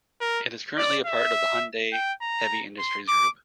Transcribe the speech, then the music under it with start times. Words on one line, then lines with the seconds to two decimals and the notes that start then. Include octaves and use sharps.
It is currently a part of the Hyundai Heavy Industries Group.
0.21 A#4
0.78 D5
1.06 E5
1.93 G5
2.22 A#5
2.79 C6
3.08 D6